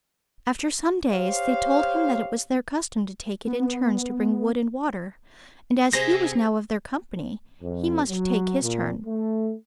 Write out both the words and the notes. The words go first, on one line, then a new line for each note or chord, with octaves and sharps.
After some days they told him that it was their custom to take it in turns to bring wood and water, and as he was now of their company, he must take his turn.
G4 C5 C#5 F5
B3
C3 G#4 C5 A#6
F2
F#3
A#2
A3